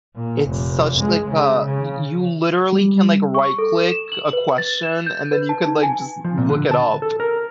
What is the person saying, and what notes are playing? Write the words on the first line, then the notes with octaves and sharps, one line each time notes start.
it's such, like, a y you literally can, like, right click a question, and then you could, like, just look it up,
A#2
F1
G#3
C#3
C#3
G3
C#6
A4
E7
F#7
B4
A6
E7
G6
B4
A5
D#4
G#5
F3
A#2
D3
A5
A4
A#4